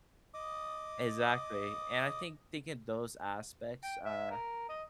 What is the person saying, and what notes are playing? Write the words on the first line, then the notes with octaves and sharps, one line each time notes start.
Exactly, and I think taking those aspects, uh
D#5 D6 D#6
G5
E5
A#4
D#5